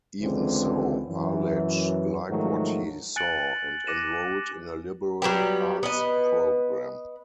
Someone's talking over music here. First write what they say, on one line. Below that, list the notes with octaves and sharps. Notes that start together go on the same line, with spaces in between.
Even so, Arledge liked what he saw and enrolled in a liberal-arts program.
C#2 D3 E3 G#3 C4
F#2 E3
G#2 D#3 F3 F#3 A3
G#5 F#6 A6 C#7 D7 F#7
D6 F#6 A#6 C#7 D#7 E7
F#3 G3 B3 G4
B3 B4 D#5